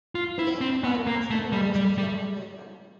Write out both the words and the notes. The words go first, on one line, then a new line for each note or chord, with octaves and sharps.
The game provided custom rulers for determining movement.
F4
E4
C4
B3
A#3
A3
G3
G3
G3